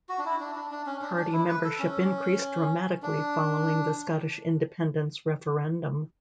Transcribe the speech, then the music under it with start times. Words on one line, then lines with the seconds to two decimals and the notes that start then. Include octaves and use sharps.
Party membership increased dramatically following the Scottish independence referendum.
0.09 F#4
0.18 D4
0.25 E4
0.40 D4
0.56 D4
0.71 D4
0.86 C#4
1.02 D4
1.17 D4
1.33 E4
1.48 B4
1.64 A4
1.79 C#4
3.02 D4